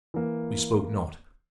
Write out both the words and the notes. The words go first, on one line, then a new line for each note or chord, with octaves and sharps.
We spoke not.
E3 A#3